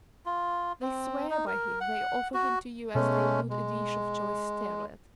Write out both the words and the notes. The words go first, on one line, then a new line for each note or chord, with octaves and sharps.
They swear by him, they offer him to you as they would a dish of choice sterlet.
F4
C4
D#4
A#4
F#5
F#4
B2 G#3 A3 B3 C#4
G#3